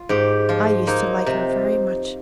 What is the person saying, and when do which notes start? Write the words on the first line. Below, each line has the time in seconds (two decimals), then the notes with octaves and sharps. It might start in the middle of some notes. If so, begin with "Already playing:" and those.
I used to like her very much.
Already playing: F4
0.09 G#2 G4
0.49 F3 F4
0.87 A#3 D#4
1.26 C3